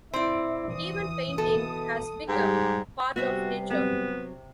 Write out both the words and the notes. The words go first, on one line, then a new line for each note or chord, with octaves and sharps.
Even painting has become part of nature.
C4 E4 D5
E3 D#6
B2 A4
G#2 G3 G4
C3 G3 B3 F#4 E5 G#5
F#3 B3 C4